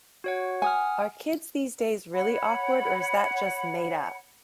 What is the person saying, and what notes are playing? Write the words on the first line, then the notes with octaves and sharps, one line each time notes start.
Are kids these days really awkward or is that just made up?
F#4 C#5 F#5
F#5 G#5 D#6 F6
C#5 F#5 B5